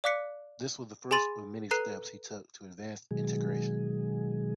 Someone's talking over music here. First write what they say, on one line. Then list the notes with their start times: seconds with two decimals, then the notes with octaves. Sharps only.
This was the first of many steps he took to advance integration.
0.04 D5 F5 D6 F#6 B6 C#7
1.11 G#4 G#5 B5 C6 A6 D#7
1.71 A4 B4 A#5 F#6 C7 D#7
3.11 B2 D#3 F#3 G#3 G#4